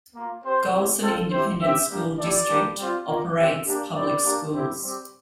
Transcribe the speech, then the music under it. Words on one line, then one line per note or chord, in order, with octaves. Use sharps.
Gholson Independent School District operates public schools.
A#3 F4
C4 G4 C5
C4 E4 G4
C4 F4 A4
C4 E4 G4 C5
C4 G4 E5
G3 A#3 D4 G4
A3 E4 G4 D5
G3 A#3 D4 G4
G3 C4 F4
A#3 F4
C4 G4 E5
A#3 D4 G4
G3 C4 E4 G4 D5
A#3 D4 G4
C4 E4 G4
G3 C4 G4